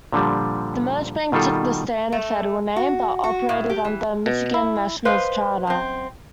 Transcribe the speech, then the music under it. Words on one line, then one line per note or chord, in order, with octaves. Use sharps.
The merged bank took the Standard Federal name, but operated under Michigan National's charter.
A#2 D3 F3 G3
B2 D#3 G3 F4 A4
A3
F#4
F#4
A2
G4
E3
B2
E4
B4 C5 D#5 F5
F#2 C4